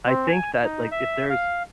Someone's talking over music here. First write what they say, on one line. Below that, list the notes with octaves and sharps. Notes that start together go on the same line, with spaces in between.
I think that, like, if there's
C4
G#5
D#4
E5
F5